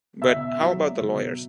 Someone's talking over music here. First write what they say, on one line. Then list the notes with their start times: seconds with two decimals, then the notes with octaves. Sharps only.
But how about the lawyers?
0.22 B2 E5 E6
0.61 F#3
1.01 B2